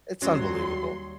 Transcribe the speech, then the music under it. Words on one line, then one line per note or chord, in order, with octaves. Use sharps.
It's unbelievable.
D#2 F#3 G3 C#4 C#5 C6